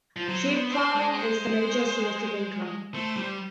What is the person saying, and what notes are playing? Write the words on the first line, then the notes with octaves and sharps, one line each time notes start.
Sheep farming is the major source of income.
F3
F#3 C5
B3
C4 C5
G#3
C5
A3 C5
G3